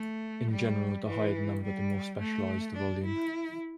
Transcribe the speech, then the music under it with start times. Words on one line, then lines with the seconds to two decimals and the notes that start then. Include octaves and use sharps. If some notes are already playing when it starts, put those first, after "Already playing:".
In general, the higher the number, the more specialized the volume.
Already playing: A3
0.51 G3
1.08 E3
1.64 G3
2.19 A3
2.76 D4
3.04 E4